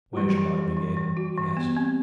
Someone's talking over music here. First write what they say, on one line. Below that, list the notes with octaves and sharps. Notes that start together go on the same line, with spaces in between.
"Where shall I begin?" he asked.
F#3
E3 G3
E3
E3
E3
E3
F#4
E3
B3
C4